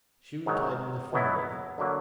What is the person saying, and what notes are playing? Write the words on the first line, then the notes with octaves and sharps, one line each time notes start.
She replied in the affirmative.
G#2 D#3 F#3
B2 F#3 B3 E4
D3 F#3 A#3